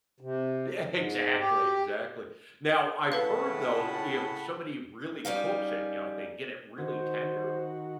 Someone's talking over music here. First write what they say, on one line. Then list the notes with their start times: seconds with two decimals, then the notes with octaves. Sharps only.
Exactly, exactly. Now, I've heard, though, if somebody really cooks it, you know, if they get it really tender,
0.20 C3
0.90 G#2
1.38 G4
3.12 A2 C#3 A4 B4 F5 F#5 A5 B5
5.25 G3 C#4 D#4 F5
6.78 D#3 F#4 C5